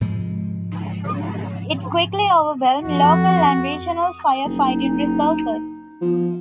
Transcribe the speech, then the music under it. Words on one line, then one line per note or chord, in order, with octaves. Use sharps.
It quickly overwhelmed local and regional firefighting resources.
G#2 C3 F3 G#3
F2 F#4
D#6
F#1 D#4
F3 B3